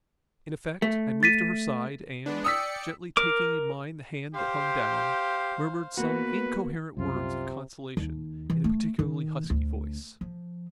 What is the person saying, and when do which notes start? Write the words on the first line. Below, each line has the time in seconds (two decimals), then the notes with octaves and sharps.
In effect, I moved to her side and, gently taking in mine the hand that hung down, murmured some incoherent words of consolation in a particularly husky voice.
0.82 A3
1.23 A6 B6 D#7
2.26 G#3 B3 D4
2.44 D5 G5 D#6 E6 B6 C#7
3.17 A#4 D6
4.35 G4 C5 F5
5.97 A#3 B3 F#4 B4
6.97 C2 F#2 C3 F4
7.97 D#2
8.50 E3
8.64 A3
8.99 D#3
9.50 D2
10.21 F3